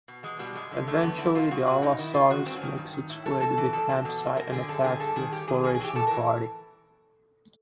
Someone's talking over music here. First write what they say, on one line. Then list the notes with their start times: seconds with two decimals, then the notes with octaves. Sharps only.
Eventually, the "Allosaurus" makes its way to the campsite and attacks the exploration party.
0.08 B2
0.23 E2 G#3
0.39 B2 G3
0.55 F#2 G#3
0.71 D3
0.87 F#2 A3
1.03 D3 B3
1.18 E2 E4
1.35 B2 F4
1.51 E2 F#4
1.66 B2 F#4
1.82 F#2 D#4
1.98 D#3 E4
2.14 F#2 F4
2.29 D#3 F#4
2.46 G2 C4
2.56 C#4
2.61 D#3
2.78 G2
2.93 D#3
3.09 A2 E4
3.26 E3 A4
3.41 A2 A4
3.58 E3
3.73 E2 A4
3.89 B2
4.05 E2 A4
4.20 B2
4.36 F#2 A#4
4.52 D3 G#4
4.68 F#2 A4
4.84 D3 G#4
5.00 G2 A4
5.16 D#3 G#4
5.32 G2 G4
5.47 D#3 G#4
5.64 A2 G#4
5.75 G#4
5.80 E3 G4
5.95 A2 A4
6.07 E3 A#4